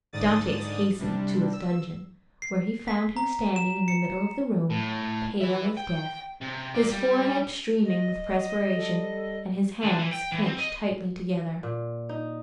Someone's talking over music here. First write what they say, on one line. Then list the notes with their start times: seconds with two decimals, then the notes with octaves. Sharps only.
Dantes hastened to his dungeon, where he found him standing in the middle of the room, pale as death, his forehead streaming with perspiration, and his hands clinched tightly together.
0.13 G#2 D3 D5 D#6 A6
0.99 C3 G3 D4
1.53 E6
2.42 C7
2.88 B6
3.17 A#5
3.56 E7
3.88 C#7
4.70 A2
5.41 B4 E5
5.77 G5
6.41 C3
6.75 F4 D5
6.90 G3
7.85 D#5
8.76 G3 A4
9.83 D3
9.99 E3
10.12 G5
10.32 E3
10.46 C4
10.59 D#5
11.63 A#2
12.09 D#4